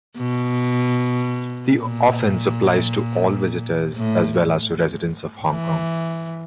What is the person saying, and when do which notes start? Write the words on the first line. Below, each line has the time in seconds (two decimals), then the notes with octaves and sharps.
The offence applies to all visitors as well as to residents of Hong Kong.
0.17 B2
1.69 A#2
3.96 A2
5.48 E3